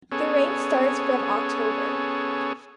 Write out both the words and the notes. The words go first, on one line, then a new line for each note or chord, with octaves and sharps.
The rain starts from October.
B3 C#4 G#4 A4 C#5